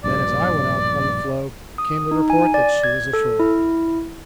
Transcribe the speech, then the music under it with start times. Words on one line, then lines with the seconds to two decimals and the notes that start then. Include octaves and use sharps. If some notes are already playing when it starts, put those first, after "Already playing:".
Then as I went out on the floe came the report that she was ashore.
0.04 A#1 G2 B2 D5
1.78 D#6
2.11 D#4
2.30 G#5
2.54 D5
2.84 G#6
3.13 A4
3.40 E4